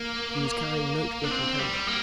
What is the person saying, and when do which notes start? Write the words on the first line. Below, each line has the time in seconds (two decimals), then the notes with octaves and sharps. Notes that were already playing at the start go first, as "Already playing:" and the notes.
He was carrying note-book and camera.
Already playing: A#3
1.24 D4
1.31 C4
1.59 G3
1.87 A#3